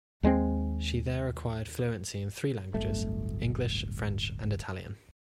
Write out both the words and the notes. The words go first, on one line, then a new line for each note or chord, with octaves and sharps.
She there acquired fluency in three languages, English, French, and Italian.
D#2 G#3 A#3 C4
D1 G1 A3